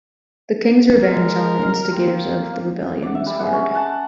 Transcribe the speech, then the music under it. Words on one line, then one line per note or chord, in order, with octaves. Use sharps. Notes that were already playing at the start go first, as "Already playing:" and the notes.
The king's revenge on the instigators of the rebellion was hard.
G#3 A#4
A#3 C4
D5 F#5
E5
G3
G#3 F#5
C#4
F#5 A5